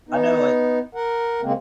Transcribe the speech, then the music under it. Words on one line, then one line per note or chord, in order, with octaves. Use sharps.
I know, like
B3 D#4
A#4 F#5
C#3 G#3 A#3 C4